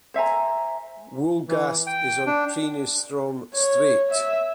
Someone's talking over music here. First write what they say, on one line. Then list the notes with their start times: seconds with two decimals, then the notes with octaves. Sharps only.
Wolgast is on Peenestrom strait.
0.14 C5 E5 G#5 A#5
1.48 E3
1.87 G5
2.26 D4
3.55 C#5
4.12 E5